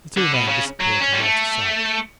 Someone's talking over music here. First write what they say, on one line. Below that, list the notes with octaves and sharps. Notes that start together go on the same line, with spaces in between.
The two men disappeared from Walter's sight.
D3
B2
C#3
F#3
C#4
G3
A3